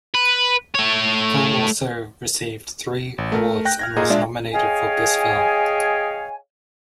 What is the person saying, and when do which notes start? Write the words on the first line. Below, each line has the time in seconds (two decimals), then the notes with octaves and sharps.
The film also received three awards and was nominated for "Best Film".
0.15 B4
0.75 A3 C#5
3.18 A1
3.32 A3 A#4
3.65 G5 F#6 G6 A#6
3.79 F6 G#6 A#6
3.96 A#2 G#4 D#5 A#5
4.10 G#3 D4 F4 D5 E5
4.53 G#4 C#5 D#5 F5 G5 G#5